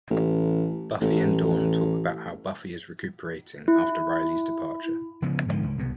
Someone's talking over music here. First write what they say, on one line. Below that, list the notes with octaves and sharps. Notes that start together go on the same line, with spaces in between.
Buffy and Dawn talk about how Buffy is recuperating after Riley's departure.
A1
A1
E4
C#3 F3 B3
G#2 D3 D#3 F3
C#2
C2 B2